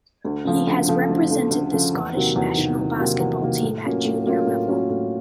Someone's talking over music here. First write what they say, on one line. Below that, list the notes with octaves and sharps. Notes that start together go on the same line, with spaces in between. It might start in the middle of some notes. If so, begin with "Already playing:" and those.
He has represented the Scottish national basketball team at junior level.
D2
C#3 F3 A3
D2
C#3 F3 A3
D2
C#3 F3 A3
D2
C#3 F3 A3
E2
C3 D#3 F#3 A#3
E2
C3 D#3 F#3 A#3
E2
C3 D#3 F#3 A#3
E2
C3 D#3 F#3 A#3
A2
F#3 A#3 C#4 F4
A2
F#3 A#3 C#4 F4
A2
F#3 A#3 C#4 F4
A2